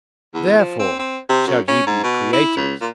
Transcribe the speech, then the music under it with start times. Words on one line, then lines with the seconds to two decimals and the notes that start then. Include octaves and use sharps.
Therefore shall ye be creators!
0.34 E2
0.59 F3
0.79 C4
0.99 C4
1.29 C3
1.47 F#2
1.68 C#4
1.87 G#2
2.03 B2
2.33 E4
2.57 C#2
2.81 A#2